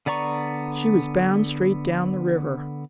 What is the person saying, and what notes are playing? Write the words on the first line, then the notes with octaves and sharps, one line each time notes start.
"She was bound straight down the river."
D3 B3 D5 A#5 C#6